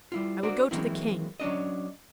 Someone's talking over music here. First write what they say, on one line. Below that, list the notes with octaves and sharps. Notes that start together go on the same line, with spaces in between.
"I will go to the king."
G3 E4 F4
D4 F#4 A#4 C5 D5
E3 F#3 G#3 A#3 C4 E4
F#3 C#4 D4 D#5